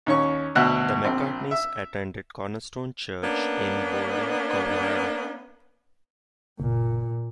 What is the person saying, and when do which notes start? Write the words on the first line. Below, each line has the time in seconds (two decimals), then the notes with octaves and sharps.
The McCartneys attend Cornerstone Church in Boulder, Colorado.
0.06 D#2 C#4 C#6
0.55 D2 B2 E5 F#5
1.04 A#1 C4
1.51 E5
3.23 A#3 B3 C#4 D4
6.60 F#1 A#2